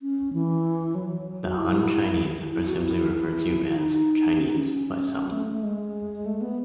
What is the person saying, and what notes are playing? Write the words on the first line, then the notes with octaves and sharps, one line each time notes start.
The "Han Chinese" are simply referred to as "Chinese" by some.
C#4
E3
F#3
F#4
E4
E4
F#4
E4
E4
D#4
C#4
D#4
C#4
A3
A3
G#3
A3
B3